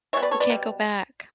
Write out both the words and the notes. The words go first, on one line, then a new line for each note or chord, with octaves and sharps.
You can't go back.
E3 G3 B3 C#5 E5
B4 D5
A4 C#5
B4 D5
B2 G3